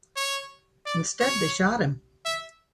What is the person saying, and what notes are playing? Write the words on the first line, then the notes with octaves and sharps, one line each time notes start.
Instead, they shot him.
C#5
D5
C#5
E5